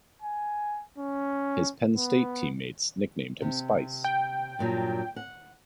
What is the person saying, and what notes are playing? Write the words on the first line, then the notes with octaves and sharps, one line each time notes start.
His Penn State teammates nicknamed him Spice.
G#5
C#4
B3
C3
G5
G2 A#2 F#3
F#5